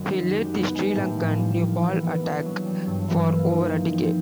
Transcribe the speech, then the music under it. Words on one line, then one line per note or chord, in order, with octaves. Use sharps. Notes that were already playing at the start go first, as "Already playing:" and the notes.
He led the Sri Lankan new ball attack for over a decade.
Already playing: F#2 D#3 F#3
D#4
G4
B3
G#3
A2
F3
G3
A#3
E3
B3
D4
F#3
G3
G2
E3
A#3
D#4
F3
C4